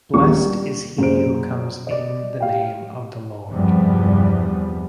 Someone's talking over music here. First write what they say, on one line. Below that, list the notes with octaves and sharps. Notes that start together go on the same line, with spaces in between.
Blessed is he who comes in the name of the Lord.
D#1 A#1 G3 G#3 A#3 C#6
G3
F#2 A#2 G#4 C5 D7
D5 D#5
G4 F5 G5
E2 G2 C3 F3 G3 B3